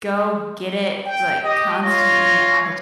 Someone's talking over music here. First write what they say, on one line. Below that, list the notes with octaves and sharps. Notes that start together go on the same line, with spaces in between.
go get it, like, constantly added,
G5
G4 D#5
F4 C#5 A#6